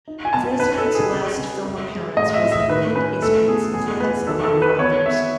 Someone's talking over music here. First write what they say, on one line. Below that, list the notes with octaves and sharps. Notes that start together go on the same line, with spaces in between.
Grizzard's last film appearance was in Clint Eastwood's "Flags of Our Fathers".
D#4
G#5
B2 A5
D#4 B4
A4
D#4
G#4
C#3
C#3
F#2
G#3
A2 D#5
E5
A2
E5
D#3 B4
C#4 B4
A3 A4
B2 G#4
E2 G#4
E2 B4
D#3 A4
A4
D#3
B4
B3 C#5
B3 E5